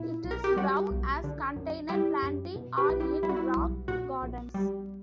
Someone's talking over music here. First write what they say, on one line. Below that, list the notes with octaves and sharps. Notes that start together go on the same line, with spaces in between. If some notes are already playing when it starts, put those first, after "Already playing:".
It is grown as container planting or in rock gardens.
Already playing: A#2 E4
B1
A#4
G4
G3 F#4
B1
D3
F#2
G3 E4 G4
F#2
B2
G4 B4
B1
E4 G4
G3 E4
F#4
E4
B1
A#2 F#4
A#1
G3